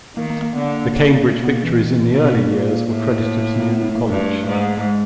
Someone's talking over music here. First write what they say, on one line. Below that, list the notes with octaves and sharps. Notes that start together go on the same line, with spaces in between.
The Cambridge victories in the early years were credited to Newnham College.
D#3 A#3
A#3
A#3
D3 B3
A#3
C#3
A3
B2 A#3
B3
A#3
E3
B2 A#3
A#2
A2
A#3
B3
B3
A3
A#3
G2 A3
G#2
A3
G#3